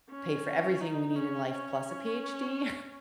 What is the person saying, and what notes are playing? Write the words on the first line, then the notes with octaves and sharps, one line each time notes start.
pay for everything we need in life plus a PhD.
C#4
D#4
C#4
C#4